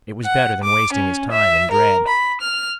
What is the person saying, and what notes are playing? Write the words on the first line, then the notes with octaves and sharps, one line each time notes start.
It was better than wasting his time in dread.
F#5
D6
C#4
E5
A#4
B5
F6